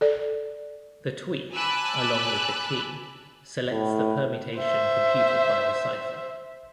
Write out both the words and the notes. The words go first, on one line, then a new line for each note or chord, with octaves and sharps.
The tweak, along with the key, selects the permutation computed by the cipher.
A4 D5
G#5 A5 B5 D6 E6 F#6
A2
C5 E5